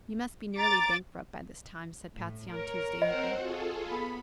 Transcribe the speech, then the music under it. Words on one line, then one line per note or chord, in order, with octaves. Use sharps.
"You must be nearly bankrupt, by this time," said Patsy on Tuesday evening.
A#5 D6 A6
A2
A#4 C#5
C4 C5 D#5 F#5
F4 F#4 G#4 A4
B3 B5